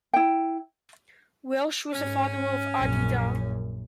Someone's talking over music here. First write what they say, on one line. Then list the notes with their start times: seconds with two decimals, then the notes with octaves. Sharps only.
Welsh was a follower of Adi Da.
0.13 E4 G5
1.93 G#2 C#4
2.78 A#1 F#2